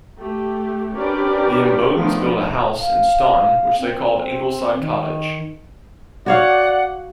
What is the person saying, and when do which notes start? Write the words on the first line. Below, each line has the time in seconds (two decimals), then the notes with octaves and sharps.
The Imbodens built a house in Staunton which they called the "Ingleside Cottage".
0.18 A3 G4
0.94 C#4 D4 G4 A#4 B4 D5
1.92 D#3 F3 A3 B3 D4
2.79 F5
3.79 C4
4.79 D#3
6.26 F#4 C#5 D5 F5 F#5